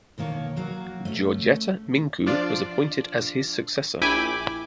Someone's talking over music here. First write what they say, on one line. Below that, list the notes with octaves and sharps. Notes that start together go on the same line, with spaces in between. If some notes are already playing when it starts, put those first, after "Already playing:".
Georgeta Mincu was appointed as his successor.
B2 D#3 A#3 C#5
F#3 A#3 F#4
A3 C#4
F3 D4 F4 D5
A#1 E4 G5 G#5 B5 D6